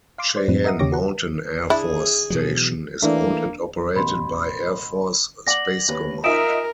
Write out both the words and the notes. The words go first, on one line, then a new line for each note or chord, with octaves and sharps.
Cheyenne Mountain Air Force Station is owned and operated by Air Force Space Command.
F5 C6 D6
C5 D5
F#2 A2 F3 C4
A#4 D#5 E5 F#5 A#5 D#6
E2 C#3 G4 C#5 D6 A#6
F#4 F#5
D4 E4 G#4
B2 E3 F#3
E3 A3 A#3 D4 D5
A1 B2 B5 C6
D5 F#5 D6 A#6 F#7
D#2 B4 C#5
D#4 F4 A#4 E5 G#5 D#6 D7 E7